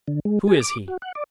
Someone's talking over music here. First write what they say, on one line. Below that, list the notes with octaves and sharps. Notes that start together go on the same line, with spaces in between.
Who is he?'
D3
G#3
G#4
D6
F#4
F#5
D5